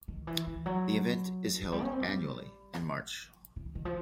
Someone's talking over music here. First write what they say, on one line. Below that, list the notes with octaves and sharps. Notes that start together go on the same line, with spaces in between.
The event is held annually in March.
D#3
E3
E3
F#3
F#3
G3
C#4
C4
G3
E3
D#3
F3